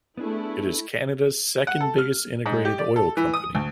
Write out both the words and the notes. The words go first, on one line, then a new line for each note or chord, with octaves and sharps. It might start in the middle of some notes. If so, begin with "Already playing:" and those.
It is Canada's second-biggest integrated oil company.
A3 B3 D4 E4 G#4
F#5
A4
F6
G#2
G4
D5
A4
E3
D#6
D2